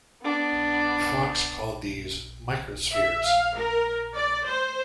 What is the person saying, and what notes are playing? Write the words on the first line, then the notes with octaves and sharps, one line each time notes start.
Fox called these "microspheres".
B3 D4
E5
F5
A#4
D5
C5